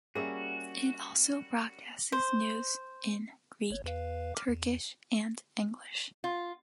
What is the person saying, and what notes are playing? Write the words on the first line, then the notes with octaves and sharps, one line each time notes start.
It also broadcasts news in Greek, Turkish and English.
G3 A#3 C#4 F#4 G#4 E5
C5
G1 C#5
E2 B4 F5
D6 F6
E2
F4